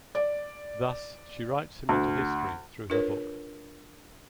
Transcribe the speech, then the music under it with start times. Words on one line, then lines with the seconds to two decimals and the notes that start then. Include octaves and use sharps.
Thus, she writes him into history, through her book.
0.15 D5
1.89 D2
2.90 D4 F4 G#4 A#4 B4 C#5